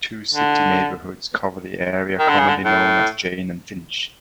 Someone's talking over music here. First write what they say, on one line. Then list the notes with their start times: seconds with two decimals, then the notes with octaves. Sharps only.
Two city neighbourhoods cover the area commonly known as "Jane and Finch".
0.34 D3
2.19 D#3
2.29 D3
2.39 C#3
2.49 D3
2.65 A2